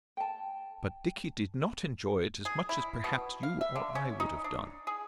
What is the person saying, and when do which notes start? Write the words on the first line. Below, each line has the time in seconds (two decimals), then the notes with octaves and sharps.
But Dickie did not enjoy it as much as perhaps you or I would have done.
0.17 G5 A5
2.45 G#4
2.69 E4
3.04 B2
3.43 F5
3.61 E5
3.76 D3
3.95 C#4
4.20 D#4
4.44 D4
4.87 G#4